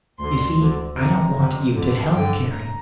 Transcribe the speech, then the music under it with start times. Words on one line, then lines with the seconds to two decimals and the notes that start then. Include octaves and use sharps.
"You see--I don't want you to help caring."
0.20 D2 D3 C6
0.58 D2 D3
0.97 F2 C3 A#5
1.36 F2 C3
1.75 F2 D3
2.13 G2 D3 G5
2.51 A#5